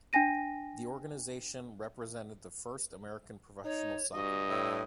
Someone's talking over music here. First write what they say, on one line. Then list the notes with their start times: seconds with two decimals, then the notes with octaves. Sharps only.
The organization represented the first American professional soccer league.
0.13 D4 G5 G#5 A#6 D#7
3.65 D#4 C#5
4.14 G2 F#4 D#5
4.49 A2 E6